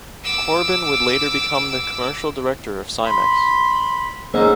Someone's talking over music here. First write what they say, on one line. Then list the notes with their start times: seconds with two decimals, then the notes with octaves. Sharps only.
Corbin would later become the commercial director of Simex.
0.24 D6 E6
3.05 B5 C6
4.34 G#2 A#3 C#4 D#4 E6